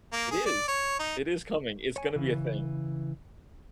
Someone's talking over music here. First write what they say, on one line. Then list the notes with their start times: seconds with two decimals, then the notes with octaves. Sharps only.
It is. It is coming, it's gonna be a thing.
0.13 A#3
0.31 G#4
0.46 D5
0.68 C#5
0.99 D#4
1.96 C#5 G#5
2.16 C#3 E3